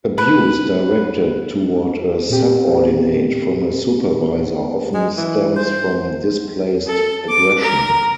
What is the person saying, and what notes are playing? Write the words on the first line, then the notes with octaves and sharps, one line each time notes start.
Abuse directed toward a subordinate from a supervisor often stems from displaced aggression.
B4
A#2 C4 G4
G#3
E3
C5
A4
D6
A#4